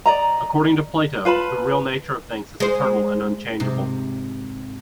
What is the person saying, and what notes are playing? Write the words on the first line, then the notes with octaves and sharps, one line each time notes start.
According to Plato, the real nature of things is eternal and unchangeable.
D5 D#5 A#5
F4 B4 A5 B5
G#3 C5
G#2 C3